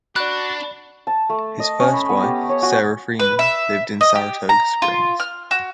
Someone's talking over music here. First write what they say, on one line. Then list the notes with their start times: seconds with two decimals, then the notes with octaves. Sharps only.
His first wife, Sarah Freeman, lived in Saratoga Springs.
0.16 D4 F#4 D5 B5 F#6
1.07 A5
1.30 A3
1.59 D#5
1.80 C#4
1.94 B5
2.09 B3
2.23 G4
2.49 C#5
2.62 F#4
3.20 B4
3.39 E5
4.01 D#5
4.15 G4
4.49 A#5
4.82 F4
5.20 F6
5.51 F#4